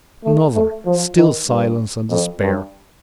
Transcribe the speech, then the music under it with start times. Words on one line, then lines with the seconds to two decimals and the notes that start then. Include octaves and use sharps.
Another--still silence and despair!....
0.24 A3
0.55 A3
0.86 F3
1.17 D#3
1.48 G2
2.10 F2
2.42 G2